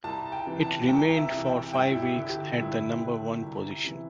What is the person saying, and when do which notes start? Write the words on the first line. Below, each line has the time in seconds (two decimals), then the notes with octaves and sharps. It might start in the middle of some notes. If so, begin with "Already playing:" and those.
It remained for five weeks at the number-one position.
0.04 C2 A5
0.32 G5
0.46 C3 E3
0.60 A5
0.88 C2 G5
1.17 E5
1.31 C3 E3
1.45 G5
1.73 G2 G5
1.91 E4
2.02 G4
2.15 D3
2.29 G4
2.58 G2 E4
3.00 D3
3.42 C2
3.84 C3 E3